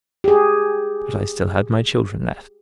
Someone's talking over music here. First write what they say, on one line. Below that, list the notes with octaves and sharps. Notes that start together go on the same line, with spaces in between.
But I still had my children left.
G4 G#4